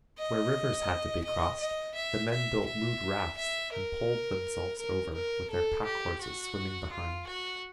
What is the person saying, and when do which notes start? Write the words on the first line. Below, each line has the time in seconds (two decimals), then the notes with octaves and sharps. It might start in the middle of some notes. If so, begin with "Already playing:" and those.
Where rivers had to be crossed, the men built rude rafts and poled themselves over, with their pack-horses swimming behind.
0.18 D#5
1.24 D#5
1.60 D#5
1.95 E5
2.31 E5
2.65 E5
3.37 E5
3.73 A#4
4.78 A#4
5.14 A#4
5.50 A4
5.85 G4
6.21 F#4
6.92 F4
7.27 F#4